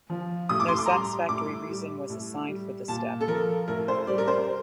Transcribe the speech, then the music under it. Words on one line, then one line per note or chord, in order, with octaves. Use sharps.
No satisfactory reason was assigned for this step.
F3
A2 D#6
D6
C6
D6
A#5
G3 C6
A2 D6
G3
A2
G3
A#2 A5
A4
F3 A#4
A2 A#4
C5
G3 D5
A#4
C5